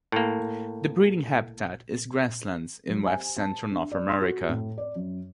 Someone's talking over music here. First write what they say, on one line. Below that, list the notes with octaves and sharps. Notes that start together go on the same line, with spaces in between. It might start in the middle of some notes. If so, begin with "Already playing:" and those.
The breeding habitat is grasslands in west-central North America.
A2 A#3
F#3
G#5
A5
D4
D5
C6
F#4
A2
D5
F#2